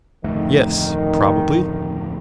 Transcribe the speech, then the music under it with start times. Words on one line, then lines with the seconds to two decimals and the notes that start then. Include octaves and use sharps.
Yes, probably.
0.24 D1 F2 D#3 A3